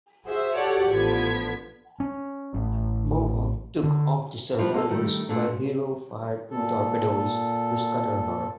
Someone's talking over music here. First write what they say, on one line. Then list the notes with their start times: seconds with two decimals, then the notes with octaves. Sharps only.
"Mohawk" took off the survivors while "Hero" fired two torpedoes to scuttle her.
0.25 F#4 G#4 C5 E5
0.55 F#4 G4 A4 C#5 D5 F#5
0.90 A1 D3 F3 B3 G#6 B6
2.00 C#4
2.54 A1
3.83 D3
4.59 F3 G3 D4 F4
4.73 G#3 A#3 G4 A4
4.89 D#3 G3 A3
5.29 A#2 A3 D4
6.51 A#2 A4